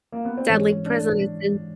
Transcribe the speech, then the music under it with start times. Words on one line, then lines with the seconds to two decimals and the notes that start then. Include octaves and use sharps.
deadly prison is in
0.12 A#3
0.25 B3
0.38 C4
0.49 G#2 E3 G#3 C#4
0.86 D4